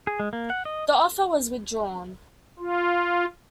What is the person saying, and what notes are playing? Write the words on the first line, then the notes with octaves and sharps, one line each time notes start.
The offer was withdrawn.
G#4
G#3
A#3
F#5
D#5
F4